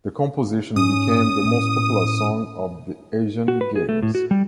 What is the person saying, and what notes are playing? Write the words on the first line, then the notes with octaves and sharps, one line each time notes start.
The composition became the most popular song of the Asian Games.
G#2 C#4 D#6
A2
F#4
B4
G#4
A3
A2
F#4
G3